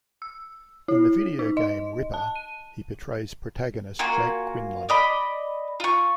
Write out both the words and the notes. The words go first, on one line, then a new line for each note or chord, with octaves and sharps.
In the video game "Ripper", he portrays protagonist Jake Quinlan.
E6
E4
D#4
D#5
A5
D#7
A#3 F4 F#4 G#5
D5 D#5 B5
F4 C#6